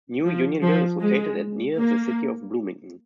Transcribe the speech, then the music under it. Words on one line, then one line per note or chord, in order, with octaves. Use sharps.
New Unionville is located at near the city of Bloomington.
F3
F3
G#3
A#3